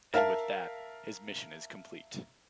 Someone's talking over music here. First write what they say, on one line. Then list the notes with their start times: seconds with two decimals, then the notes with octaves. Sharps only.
And with that, his mission is complete.
0.14 A#4 E5 F5 A5